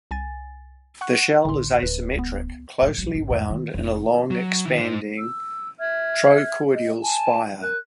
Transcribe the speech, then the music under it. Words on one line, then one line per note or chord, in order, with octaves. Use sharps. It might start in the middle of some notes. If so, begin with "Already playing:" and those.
The shell is asymmetric, closely wound in a long expanding trochoidal spire.
C2 G#5 A6
F#5 C#6 F#6
A1 D2 D3 C6
D1 B4
C#2 B3
A2 D#3
B1 F#3
D#1 G#1
E2 G#2
D#3
F1 D#4
F#3
D#3 E4
D#4 C5
E6
E5 F6 G#6
D#5
G#5 A5
A#4 F#6